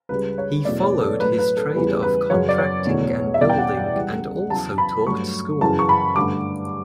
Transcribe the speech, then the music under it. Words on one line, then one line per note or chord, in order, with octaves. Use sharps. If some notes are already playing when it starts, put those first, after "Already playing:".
He followed his trade of contracting and building and also taught school.
C#2 C#3 G3 B4
C#5
E2 B2 F#3 A3 D5
C#5
B4
A4
A2 F#3 A3 B4
B4
A4
E2 C#3 E3 G3 B4
B4
F#2 C#3 F#3 C#5
D5
C#5
E2 B2 A3
E5
E2 B2 G3 D5
G5
F#5
F#5
C#2 C#3 E3 G3
E2 C#3 F#3 A5
B5
G2 F#3 A3 C#6
F#2 C#3 E3 A5
C#6
B5
G2 D3 A3 D6